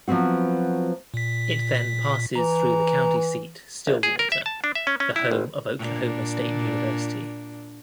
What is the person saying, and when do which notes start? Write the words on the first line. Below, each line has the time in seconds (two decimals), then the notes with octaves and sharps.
It then passes through the county seat, Stillwater, the home of Oklahoma State University.
0.08 F3 F#3 B3 C4 F#4
1.14 A#2 B6
2.35 E3 A#5
3.87 A#1
4.03 G#4
4.19 A#4
4.32 E5
4.46 A5
4.64 D4
4.75 E5
4.87 C#4
5.00 C#4
5.16 E4
5.31 G#1
5.78 A#2 D4